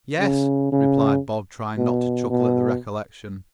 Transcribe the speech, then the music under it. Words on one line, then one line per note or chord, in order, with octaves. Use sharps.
"Yes," replied Bob, trying not to chuckle at the recollection.
C#3
C#3
B2
B2